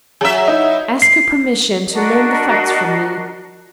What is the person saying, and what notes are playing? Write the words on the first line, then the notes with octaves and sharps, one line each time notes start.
Ask her permission to learn the facts from me.
F#3 G#4 E5 A#5
D#4 E4
C7
D4 F#4 A#4 D#5